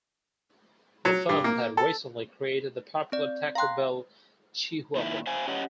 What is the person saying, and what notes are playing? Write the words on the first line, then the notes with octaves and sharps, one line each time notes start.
The firm had recently created the popular Taco Bell chihuahua.
F#3
G2
A#3
A4
C4 D5
F5 G5 A#5 C6 F#6
A#2 D#3 E4
C5 F5 G#5
C#4 G4 C#5 D#5 F#5